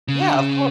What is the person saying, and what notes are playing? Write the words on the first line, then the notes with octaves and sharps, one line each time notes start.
Yeah, of course.
C#3
D3
C#3